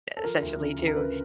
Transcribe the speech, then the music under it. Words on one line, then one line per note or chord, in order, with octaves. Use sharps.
essentially, to
A4
F3 A#4
D2
C#3
D2
A#4
C#3 B4